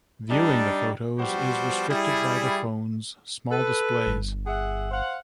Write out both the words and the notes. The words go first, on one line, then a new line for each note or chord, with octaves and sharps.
Viewing the photos is restricted by the phones' small displays.
G3 D4 D#4
F3 G3 B3 F#4 G4 C5
G3 E4 G#4
A4 B4
G1
G#4 E5 F#5
C5 F5 F#5